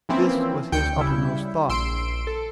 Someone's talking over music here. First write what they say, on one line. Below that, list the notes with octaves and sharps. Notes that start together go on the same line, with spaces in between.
This was his uppermost thought.
E3 F3 A#3 C4 C#4 E4
D2 G5 G6 C#7
C#3 G3 E4
A#1 C6 E6 D7
A4